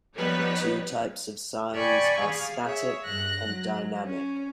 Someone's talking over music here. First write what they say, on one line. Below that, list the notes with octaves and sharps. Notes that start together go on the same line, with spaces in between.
The two types of signs are static and dynamic.
F3 G3 B3 D#4 B4 C#5
D5 G5 G#5 B5 C#6
G#4 F5
G#4 C#5 E5
G2 F#6 A#6
F#3
C#4